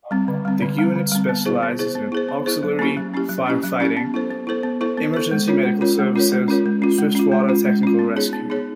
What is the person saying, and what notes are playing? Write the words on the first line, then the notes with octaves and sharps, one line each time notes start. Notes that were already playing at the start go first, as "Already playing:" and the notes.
The unit specialises in auxiliary fire fighting, emergency medical services, swiftwater technical rescue.
G3 C4
D3
G3 C4
D3
G3 C4
D3
G3 C4
B3
E4 G#4 C5
B3
E4 G#4 C5
B3
E4 G#4 C5
B3
E4 G#4 C5
F#3
A#3 C#4 E4 G4
F#3
A#3 C#4 E4 G4
F#3
A#3 C#4 E4 G4
F#3
A#3 C#4 E4 G4
B3
E4 A4 C5
B3
E4 A4 C5
B3
E4 A4 C5
B3
E4 A4 C5
G#3
C#4 F4 A#4 C#5
G#3
C#4 F4 A#4 C#5
G#3
C#4 F4 A#4 C#5
G#3
C#4 F4 A#4 C#5
G#3
C#4 F4
G#3
C#4 F4
G#3
C#4 F4
G#3
C#4 F4
B3
D#4 G#4 C#5
B3
D#4 G#4 C#5